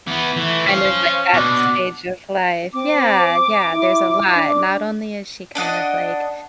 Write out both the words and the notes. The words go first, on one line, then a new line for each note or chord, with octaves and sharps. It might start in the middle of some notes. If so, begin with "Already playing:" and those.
kind of like that stage of life. Yeah, yeah, there's a lot. Not only is she kind of, like,
E3 B3
E3 A3
C#4 C5 F5
B2 D4
C4 D6
E4
D4
D4 D#5 F#5